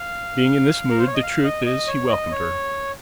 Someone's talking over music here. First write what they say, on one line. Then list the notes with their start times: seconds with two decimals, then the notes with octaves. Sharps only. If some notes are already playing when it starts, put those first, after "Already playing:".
Being in this mood the truth is he welcomed her.
Already playing: F5
0.91 A#4
0.98 C5
1.07 C#5
1.14 D#5
1.23 F5
1.44 D#5
1.66 D#5
1.87 C#5
2.09 D#5
2.31 C#5